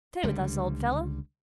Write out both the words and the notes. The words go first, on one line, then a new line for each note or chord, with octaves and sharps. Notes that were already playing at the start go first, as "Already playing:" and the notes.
"Stay with us, old fellow."
C#2 D3 G3